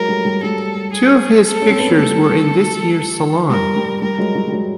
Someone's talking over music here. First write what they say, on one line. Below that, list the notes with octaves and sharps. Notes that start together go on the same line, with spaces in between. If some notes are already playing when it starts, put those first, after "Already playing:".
Two of his pictures were in this year's Salon.
Already playing: F#3 G#3 A#4
G3 A3
G3
G3 A4
G#4
A4
C#4
C4
B3
A#3
G3 A3 A4
G3 A#4
G3
G3 A#4
F#3 G#3
F#3
G3
F#3